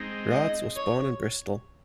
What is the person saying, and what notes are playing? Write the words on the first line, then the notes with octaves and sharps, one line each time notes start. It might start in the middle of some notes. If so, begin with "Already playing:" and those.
Rahtz was born in Bristol.
Already playing: G#3 C4 D#4
D#5
C#5